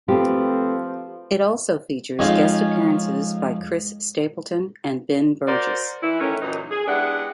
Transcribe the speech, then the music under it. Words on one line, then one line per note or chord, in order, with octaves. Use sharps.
It also features guest appearances by Chris Stapleton and Ben Burgess.
F3 A3 C4 G4 B4
F2 G#3 C#4 D#4 F4
F#4 A#4 C5 D5
E3 E4
D#3 E3 A3 C#4
F#2 A#2 E3 D#4
G#4
G#3 B3 D4 E4 G4 F#5